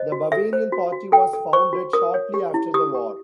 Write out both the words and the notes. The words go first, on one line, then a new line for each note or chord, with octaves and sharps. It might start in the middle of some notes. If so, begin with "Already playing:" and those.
The Bavarian Party was founded shortly after the war.
Already playing: C5 D#5
F#4
A4 E5
C5
F#4
F#4
A4 G5
A4
C5 C#6
F#4
A#4 D#6
C#5
G4
E4
G4 D#6
G4